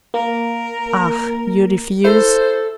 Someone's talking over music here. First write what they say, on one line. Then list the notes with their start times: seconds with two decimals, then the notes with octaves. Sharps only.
Ah, you refuse?
0.14 A#3 A#4
2.04 E4 A4 C5